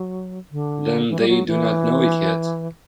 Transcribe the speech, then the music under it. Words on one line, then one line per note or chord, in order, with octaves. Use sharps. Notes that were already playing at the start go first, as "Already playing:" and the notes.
Then they do not know it yet?
Already playing: F#3
D3
E3
G3
F#3
E3